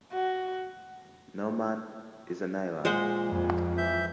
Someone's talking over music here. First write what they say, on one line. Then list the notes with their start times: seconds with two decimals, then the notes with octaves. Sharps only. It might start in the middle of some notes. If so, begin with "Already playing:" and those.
No man is an island.
0.13 F#4
2.85 A#2 G#3 C5 F#5
3.28 F2
3.78 E3 E5 G6